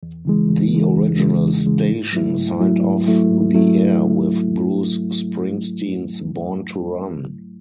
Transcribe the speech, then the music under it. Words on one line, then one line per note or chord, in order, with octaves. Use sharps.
The original station signed off the air with Bruce Springsteen's "Born to Run".
E2
C#3 E3 G#3
E2
C#3 E3 G#3
E2
C#3 E3 G#3
E2
C#3 E3 G#3
G#2
F#3 A3 E4
G#2
F#3 A3 E4
G#2
F#3 A3 E4
G#2
F#3 A3 E4